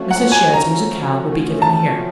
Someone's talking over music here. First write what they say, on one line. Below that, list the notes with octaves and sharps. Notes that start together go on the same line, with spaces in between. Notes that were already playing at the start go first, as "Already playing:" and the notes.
Mrs. Shadd's musicale will be given here.
Already playing: F3 A3 C#4 F#4
F#5
G#5
A#5
A5